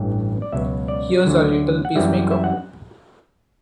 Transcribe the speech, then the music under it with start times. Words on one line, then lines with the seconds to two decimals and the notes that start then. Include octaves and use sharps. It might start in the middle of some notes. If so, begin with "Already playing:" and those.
Here's our little peace-maker!
Already playing: A1 G2 E3
0.42 D5
0.52 C#2 B2 F#3 E5
0.88 D5
1.25 D2 D3 F#3
1.85 F#5
1.95 F#2 E3 G3 E5
2.31 E5
2.44 F#5